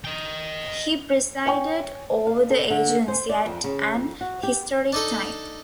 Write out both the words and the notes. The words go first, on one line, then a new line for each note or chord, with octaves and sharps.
He presided over the agency at an historic time.
D#5 G5
C#5 G5 G#5 C#6
F5
A4
D3
C5
D5
F2
C#3
F2
F#4
G4
D4 D#4 A4